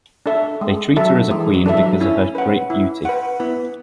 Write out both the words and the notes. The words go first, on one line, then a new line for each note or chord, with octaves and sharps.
They treat her as a Queen because of her great beauty.
D4 A4 E5
G#3
F#3 D4 A4 E5
E3 G#3
F#3
E3 D4 A4 E5
F#3
C#4 E4
B4 F#5
E4
B4 F#5
B3 E4